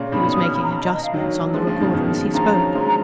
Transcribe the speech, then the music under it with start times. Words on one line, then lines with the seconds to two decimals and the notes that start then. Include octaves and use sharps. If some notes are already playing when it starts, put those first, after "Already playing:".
He was making adjustments on the recorder as he spoke.
Already playing: A#2 C#3
0.12 B2 D#3 B5
0.33 D#6
0.43 F6
0.53 B5
0.63 A#5
0.74 A#5
0.83 D#5
0.94 D#5
1.03 F5
1.14 D#3 F#3
1.54 F3 G#3
1.67 C#3 F3
1.80 B2 D#3
1.93 B2 D#3
2.34 C#3 F3 A#5
2.54 D#3 F#3
2.75 F3 G#3